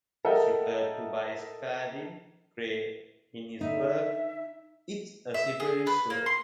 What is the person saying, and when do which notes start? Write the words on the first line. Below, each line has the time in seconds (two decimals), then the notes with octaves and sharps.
It was referred to by Spalding Gray in his work "It's a Slippery Slope".
0.25 A4 A#4 D#5 E5 F#5 G5
3.61 D3 D#4 E5
5.34 E5
5.60 G#4
5.87 B4
6.10 A#3
6.26 C6